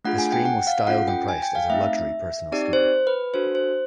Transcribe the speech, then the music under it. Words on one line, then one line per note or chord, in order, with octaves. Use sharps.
The Stream was styled and priced as a luxury personal scooter.
A3 D4 F4 G#4 F#5
G#5
G5
F#5
F5
C#4 F4 A4 F#5
G5
G#5
G5
F5
A3 C4 D#4 E5
C4 D#4 G4 D5
C5
B4
D4 F#4 A4 C5
C5